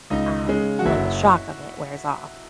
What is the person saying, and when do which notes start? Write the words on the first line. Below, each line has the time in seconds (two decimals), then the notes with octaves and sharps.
um, when the shock of it wears off
0.10 C#2 D#4
0.48 C#3 G#3
0.79 F#4
0.85 F#1 E4